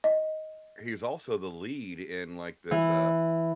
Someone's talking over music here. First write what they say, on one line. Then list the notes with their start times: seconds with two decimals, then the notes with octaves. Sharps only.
he's also the lead in, like, this, uh,
0.04 D#5
2.71 E3